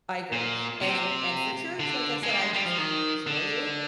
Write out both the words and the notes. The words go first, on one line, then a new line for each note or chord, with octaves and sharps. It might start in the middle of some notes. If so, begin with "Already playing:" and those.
I agree. And and for church, like I said, I just enjoy it
A#2
C3
D3
G#3
A#3
G#3
G3
F3
D#3
D3